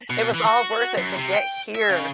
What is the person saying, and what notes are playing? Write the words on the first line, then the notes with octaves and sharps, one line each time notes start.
It was all worth it to get here.
B2
E3
F#4
F#2
C3
G5
E5
C#3